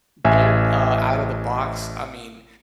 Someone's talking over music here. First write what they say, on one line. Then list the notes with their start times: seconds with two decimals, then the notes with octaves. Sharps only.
B Bear, uh, Out of the Box. I mean,
0.25 A1 E5 G#5